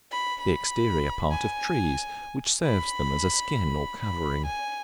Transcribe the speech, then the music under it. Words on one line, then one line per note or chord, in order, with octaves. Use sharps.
The exterior part of trees, which serves them as a skin or covering.
B5
B5
G#5
B5
B5
G#5